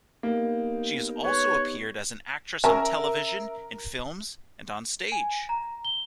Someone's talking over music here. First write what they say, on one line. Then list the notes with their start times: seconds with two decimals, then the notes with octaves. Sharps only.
She has also appeared as an actress on television, in films, and on stage.
0.23 A#3 B3 D#4 G4
1.25 B4 C#5
2.64 C#4 A#4 E5 G#5 A5 E6
5.12 G#5
5.49 A#5
5.85 G7